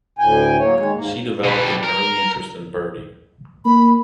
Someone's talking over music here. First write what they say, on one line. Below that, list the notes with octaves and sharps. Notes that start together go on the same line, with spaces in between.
She developed an early interest in birding.
D2 A2 G5 G#5
F#3 A#3 C#5
D#3 G#3 C#5
D#2 G#2 A#3
B2 G3
A#4
A#3 B5